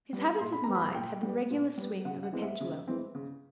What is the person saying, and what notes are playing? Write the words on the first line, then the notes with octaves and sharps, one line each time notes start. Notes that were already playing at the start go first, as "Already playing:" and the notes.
His habits of mind had the regular swing of a pendulum.
G3 B3
A#2 C6
B5
G3 B3 A#5
B5
A#2 G5
G3 B3
A#2
G3 B3
C#3 F#5
F#5
E3 G#3 C4
E5
C#3
E3 G#3 C4
C#3